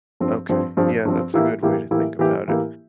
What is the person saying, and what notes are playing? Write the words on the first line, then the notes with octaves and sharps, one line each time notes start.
Okay, yeah, that's a good way to think about it.
G2 F3 C4
G2 F3 C4
G2 F3 C4
G2 F3 C4
A2 E3 A#3 E4 G4
A2 E3 A#3 E4 G4
A2 E3 A#3 E4 G4
A2 E3 A#3 E4 G4
A2 E3 A#3 E4 G4